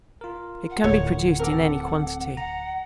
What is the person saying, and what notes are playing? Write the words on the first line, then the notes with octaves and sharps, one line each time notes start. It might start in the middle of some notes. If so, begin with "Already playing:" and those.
It can be produced in any quantity.
F4 A#4
F#5
D1 C#5
C4 A4 A#4 D6
F#5 A#5